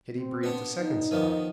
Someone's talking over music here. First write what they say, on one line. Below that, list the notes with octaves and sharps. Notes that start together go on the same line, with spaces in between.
Kitty breathed a second sigh.
C4
B3 D4
D#4
D#3 F3 B3